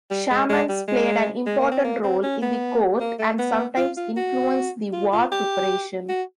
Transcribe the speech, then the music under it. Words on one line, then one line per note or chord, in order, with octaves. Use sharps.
Shamans played an important role in the court and sometimes influenced the war preparation.
G3
G#3
G#3
G3
G#3
G#3
A#3
C4
A#3
C4
C#4
B3
A#3
A3
B3
F4
F4
F#4
F4
F4
G4
F#4